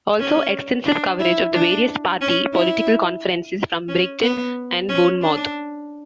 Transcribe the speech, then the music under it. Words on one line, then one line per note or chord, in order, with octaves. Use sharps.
Also extensive coverage of the various party political conferences from Brighton and Bournemouth.
C#4
D4
E4
D4
C#4
E4
C#4
B3
C#4
D4